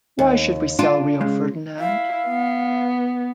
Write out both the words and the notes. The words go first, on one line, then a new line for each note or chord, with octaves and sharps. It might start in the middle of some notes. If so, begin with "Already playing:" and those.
Why should we sell Rio Ferdinand?
D#2
D4 F4
C#3 G#3
E4 F5
B3